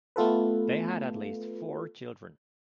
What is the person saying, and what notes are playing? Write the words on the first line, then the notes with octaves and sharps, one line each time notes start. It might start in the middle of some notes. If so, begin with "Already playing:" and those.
They had at least four children.
A3 B3 F4 A4 B4